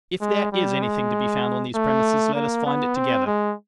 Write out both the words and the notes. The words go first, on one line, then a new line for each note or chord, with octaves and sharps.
'If there IS anything to be found on these premises, let us find it together.
G#3
G3
G#3
A3
A#3
B3
C4
G#3